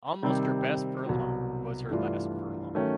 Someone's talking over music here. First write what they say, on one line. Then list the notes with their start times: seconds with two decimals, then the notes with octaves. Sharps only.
Almost her best furlong was her last furlong.
0.23 C3 D#3 G3 C4
1.06 C2 B2 F#3
1.90 G2 E3 A3 D4 F4
2.75 D#3 F#3 A3 C#4